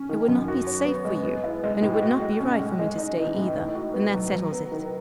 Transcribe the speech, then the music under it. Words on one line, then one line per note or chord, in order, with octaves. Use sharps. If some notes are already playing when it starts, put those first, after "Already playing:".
It would not be safe for you and it would not be right for me to stay, either, and that settles it.
Already playing: C#4
D#3
F#2
F#4
C#5
B3
G#3
B3
E4
G#3
A2
F#4
G#3
C#4
G#3
G#3
D#4
E3
A2
D#4
F#4
B3
F#3
F#3
B3
D#3